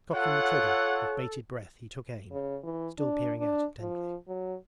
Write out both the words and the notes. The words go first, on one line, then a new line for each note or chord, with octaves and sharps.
Cocking the trigger, with bated breath he took aim, still peering out intently.
F4 A4 C#5 F#5
C#3
E3
D4
D4
F3
F#3